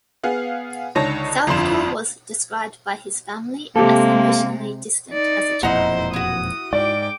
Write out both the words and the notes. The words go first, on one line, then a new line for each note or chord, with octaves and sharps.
Salvatore was described by his family as emotionally distant as a child.
B3 G#4 F5 F#5
C#2 D3 D#4 C#5 A5 A#6
G1 F2 F3 D4 C6 E7
C3 G#3 A#3 G4 A4
D#4 D5
E1 F2 A#2 D#4 E4 C5 F#5 A#5
E4 F#4 D#6
G#2 D5 G5 D6